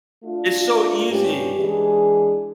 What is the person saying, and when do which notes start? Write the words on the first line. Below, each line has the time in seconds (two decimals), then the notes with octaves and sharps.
It's so easy.
0.24 A3 D4 F4
1.10 G2 C#4 G4
1.58 E3 G#3 D4 G#4